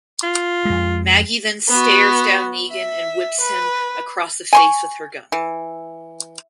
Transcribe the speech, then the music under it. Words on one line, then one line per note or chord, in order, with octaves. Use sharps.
Maggie then stares down Negan and whips him across the face with her gun.
F4
F2 G#3
B3 F#4
E5
B4
G#5 C6 C#6
E3